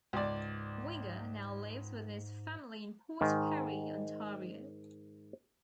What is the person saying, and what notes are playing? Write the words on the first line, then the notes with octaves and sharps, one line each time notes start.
Winger now lives with his family in Port Perry, Ontario.
C#2 G#2 D5
G#2 D#3